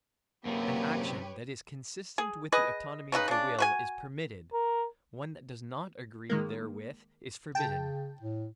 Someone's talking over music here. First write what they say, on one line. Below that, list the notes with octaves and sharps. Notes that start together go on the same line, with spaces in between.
An action that is consistent with the autonomy of the will is permitted; one that does not agree therewith is forbidden.
F#2 C3 A#3 G4 B4 C#5
G#4
G#4 B4 D#5
C#3 D#4 F4 B4
C#3 D4
F#4 B4 G#5
A#4
D#3 G#3 A#3
C#3 G5 A5
A2